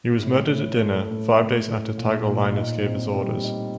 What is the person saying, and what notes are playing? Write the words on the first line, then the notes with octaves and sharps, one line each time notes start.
He was murdered at dinner; five days after Tigellinus gave his orders.
A2
A2
A3
A2
A2
A2
A#2
A#2
D#4
C4
G3
D#4